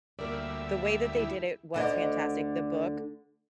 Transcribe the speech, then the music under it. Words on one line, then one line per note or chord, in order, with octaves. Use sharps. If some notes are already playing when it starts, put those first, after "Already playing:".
the way that they did it was fantastic. The book
D2 G3 A#3 A#4 D5 E5
E4 G#4
D2 D3 D#5